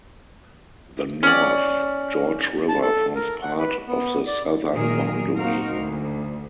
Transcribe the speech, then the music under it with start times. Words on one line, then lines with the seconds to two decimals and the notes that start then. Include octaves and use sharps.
The North George River forms part of the southern boundary.
1.23 C#4 D5
2.69 A5
2.82 A4
3.15 A#4
3.42 F#5
3.59 B4
3.88 B3
4.27 D5
4.73 A#2 D#3 F#3 A#3 G#4 A#4
5.37 A#3 C4 D#4 F#4 A#4 F5
5.73 D2